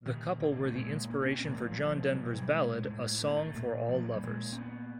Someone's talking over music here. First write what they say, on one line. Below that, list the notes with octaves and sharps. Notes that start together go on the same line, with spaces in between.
The couple were the inspiration for John Denver's ballad A Song For All Lovers.
A#2 D#3
D3
D3
A3
A#2 G#3
A#3
C#4
C4
A#2 A3
E3
F3
F#3
F3
F3
F#3
B2 F3
F#3
G3
G#3
A2
A3
A#3
A3
A#2
F3
F#3
G3
A#2 G#3
C4
B3